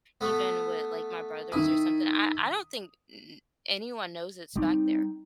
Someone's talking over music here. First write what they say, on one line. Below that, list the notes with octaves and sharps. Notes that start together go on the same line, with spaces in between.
even with, like, my brothers or something, I I don't think n anyone knows it's back there.
A3 B3
D#3 E4 D#6
G3 C4 D#4